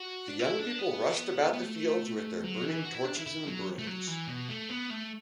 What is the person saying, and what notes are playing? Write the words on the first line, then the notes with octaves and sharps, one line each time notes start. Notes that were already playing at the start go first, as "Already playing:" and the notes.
The young people rushed about the fields with their burning torches and brooms.
Already playing: F#4
D4
E4
D4
B3
B3
A3
F#3
E3
F#4
E4
D4
E4
E4
F#3
A3
F#3
E3
B2
A3
B3
A3